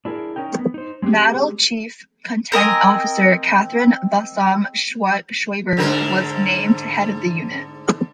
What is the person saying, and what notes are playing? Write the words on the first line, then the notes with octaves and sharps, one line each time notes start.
Mattel chief content officer Catherine Balsam-Schwaber was named to head the unit.
D4 E4 G#4 A#4
C#4 D#4 A#4 G5
B3
D#4 C5
G#3 C4 D#4 G4 G#4
C4 A#4 D#5 G#5
G#2 D3 A#4